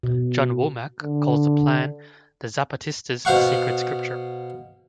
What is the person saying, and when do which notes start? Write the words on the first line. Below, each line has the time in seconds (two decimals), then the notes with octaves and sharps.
John Womack calls the Plan the Zapatistas' "Sacred Scripture".
0.03 B2
1.03 D3
3.25 B2 C5 F5 F#5 C#6